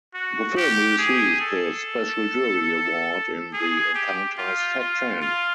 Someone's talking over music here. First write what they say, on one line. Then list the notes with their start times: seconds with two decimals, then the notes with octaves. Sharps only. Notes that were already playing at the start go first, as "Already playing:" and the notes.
The film received the Special Jury Award in the Encounters section.
0.14 F#4
0.57 G4
0.98 G#4
1.41 A4
3.53 G#4
3.95 G4
4.38 F4
4.79 F4
5.22 F4